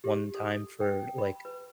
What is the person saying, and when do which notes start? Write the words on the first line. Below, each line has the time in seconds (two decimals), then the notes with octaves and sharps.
one time for, like,
0.04 G4
0.34 A4
0.81 G5
1.18 B5
1.45 B4